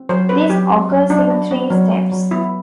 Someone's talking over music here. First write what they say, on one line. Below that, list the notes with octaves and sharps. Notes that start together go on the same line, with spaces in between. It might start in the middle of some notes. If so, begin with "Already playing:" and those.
This occurs in three steps.
Already playing: C4
F#3 C5
C4 B4
F#3 G4
C4
F#3
F#3 D4
B3
B3
F#3
F#3
F#3
B3 E4